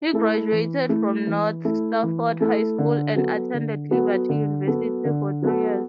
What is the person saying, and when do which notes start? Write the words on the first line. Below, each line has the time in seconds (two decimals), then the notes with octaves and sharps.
He graduated from North Stafford High School and attended Liberty University for three years.
0.13 A3 E4 A4
0.52 E3
0.89 A3 E4 A4
1.27 E3
1.65 A3 E4 A4
2.03 E3
2.40 A3 E4 A4
2.78 D3
3.16 F#3 B3 F#4 A4
3.54 D3
3.91 F#3 B3 F#4 A4
4.29 D3
4.67 F#3 B3 F#4 A4
5.05 D3
5.42 F#3 B3 F#4 A4